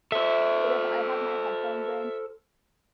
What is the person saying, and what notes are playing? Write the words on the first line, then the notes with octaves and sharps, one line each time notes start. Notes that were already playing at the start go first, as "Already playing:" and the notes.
that if I have my headphones in,
A4 C5 E5